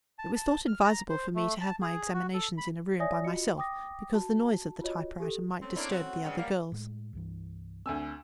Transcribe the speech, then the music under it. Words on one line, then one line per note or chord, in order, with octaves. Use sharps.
It was thought advisable for me to have my examinations in a room by myself, because the noise of the typewriter might disturb the other girls.
A5
A5
F6
A#5
C5
A3
A5
G#4
F#4
A4
B5
C#5 D5 E5 G#5 D#6 A#6
F4 F#4 D#5 C#7
G5 D6 D#6 A#6
F#4 A5
F4 F#4 C#5 D#5
G4 A4
A3 C4 C#4
A#3 D4 E4
F#4
G2 C#3
G3 A#3
A2 G#3
C2 G2 E3
D2 C4 G#5 E6